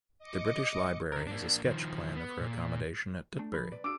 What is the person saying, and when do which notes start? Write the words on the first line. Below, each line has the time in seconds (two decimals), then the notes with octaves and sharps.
The British Library has a sketch plan of her accommodation at Tutbury.
0.19 D#5 D6 C#7
1.12 D3 A#4
1.27 A#3 D4
1.65 D#3 F3
2.16 B3
2.40 A#2
3.39 A3 D4
3.54 F3 B5
3.72 C2 B4 D5
3.84 D4 F#4 G#4 D6 E6 D7